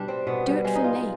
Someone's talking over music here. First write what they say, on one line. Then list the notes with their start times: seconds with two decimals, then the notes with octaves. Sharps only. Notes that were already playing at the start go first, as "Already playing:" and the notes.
Do it for me....
Already playing: B2 G3 D4
0.08 C4
0.27 B2 B3
0.46 G3
0.64 G3 G#3
0.75 D#4
0.84 F4